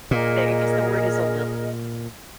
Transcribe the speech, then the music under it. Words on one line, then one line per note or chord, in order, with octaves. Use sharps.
They I guess the word is a lilt.
A#2 G#4 A#4 D#5